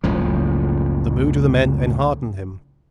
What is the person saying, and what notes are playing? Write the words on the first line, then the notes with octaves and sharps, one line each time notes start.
The mood of the men enheartened him.
F#1 C#2 A2 F3